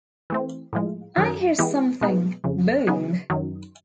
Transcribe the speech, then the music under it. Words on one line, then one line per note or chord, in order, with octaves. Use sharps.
I hear something, boom!
E3 A3 C4
A2 F3 G#3
F#2 D#3 F#3
E3 G#3 B3 E4 G4
B2 G#3 B3 D#4
F2 C#3 F3
C#3 F#3 B3 D#4 G#4
F#2 D#3 F#3